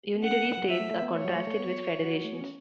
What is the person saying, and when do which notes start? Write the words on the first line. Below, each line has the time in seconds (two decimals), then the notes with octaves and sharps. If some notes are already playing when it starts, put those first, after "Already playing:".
Unitary states are contrasted with federations.
0.15 B3
0.23 C#4 F#5
0.34 B3
0.45 A3
0.57 F#3
0.68 F#3 E5
0.80 A3
0.91 A3
1.02 B3
1.13 A3 C#5
1.25 F#3
1.35 A3
1.47 A3
1.59 B3
2.04 F#4
2.24 A3
2.32 B3
2.41 C#4